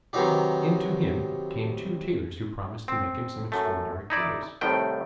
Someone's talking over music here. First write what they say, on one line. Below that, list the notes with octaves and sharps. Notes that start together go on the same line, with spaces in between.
And to him came two tailors, who promised to make him some extraordinary clothes.
C3 D#3 E3 F#3 D#4 G4
C4
F#2 A3
D#4 E4 D5
C2 A2 D#3 A3 G5